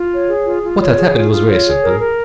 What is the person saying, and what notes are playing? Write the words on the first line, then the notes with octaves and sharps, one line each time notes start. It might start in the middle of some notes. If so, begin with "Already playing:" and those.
What had happened was very simple.
Already playing: F4
C#5
G#4
F4
F4
C#5
G#4
F4
F4
C#5
G#4
A#4
A#4